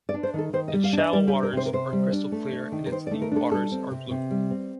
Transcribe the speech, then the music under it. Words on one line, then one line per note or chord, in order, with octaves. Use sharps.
Its shallow waters are crystal clear and its deep waters are blue.
D5
D4
C5
D#3 A4
D#3 C5
D#5
G3
F5
D4
D#5
G3 D5
G4
D4
A#4
C3 C5
A#4
C3 C5
G3
D4
A3
D4
D#3
A#4
D#3 C5
D5
A3
A#4
D4 A4
G3 A4
C4
C3
C3
G3
C4